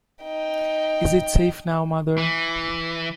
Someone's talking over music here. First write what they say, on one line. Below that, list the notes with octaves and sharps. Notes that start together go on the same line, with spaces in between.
Is it safe now, mother?
D#4 G5
E3